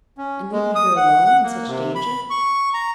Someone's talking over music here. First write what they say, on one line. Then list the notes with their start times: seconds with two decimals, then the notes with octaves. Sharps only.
"And leave you here alone--in such danger?"
0.18 C#4
0.52 G#3
0.76 D#6
0.97 F#5
1.25 F#5
1.43 A#3
1.67 C3
1.95 B5
2.30 C#6
2.74 A#5